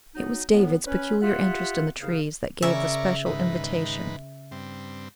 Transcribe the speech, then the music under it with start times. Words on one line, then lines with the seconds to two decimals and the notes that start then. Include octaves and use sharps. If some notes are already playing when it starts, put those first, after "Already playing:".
It was David's peculiar interest in the trees that gave the special invitation.
0.15 F#3 B3 D#4
0.51 A2 B3
0.86 C#4 B4
1.22 F4 G4 E5 F#5
2.01 D#2 C#3 F5
2.62 C#3 A#4 C#5 D5 E5
3.26 G#2 D#3 B4
4.51 G2 C4